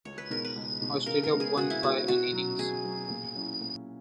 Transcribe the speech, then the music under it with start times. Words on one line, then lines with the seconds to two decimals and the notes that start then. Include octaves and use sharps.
Australia won by an innings.
0.05 C#2 C#5
0.18 B4
0.30 B2 G#3 D#4 A#4
0.45 B4
0.56 C#2
0.81 B2 G#3 D#4
1.06 C#3 A#4
1.23 A#4
1.32 G#3 B3
1.40 G#4
1.57 C#3 F#4
1.70 E4
1.83 G#3 B3 F#4
2.08 B2 F#4
2.33 F#3 C#4
2.59 B2 G#4
2.85 F#3 C#4
3.09 A#2
3.35 F#3 C#4 E4
3.61 A#2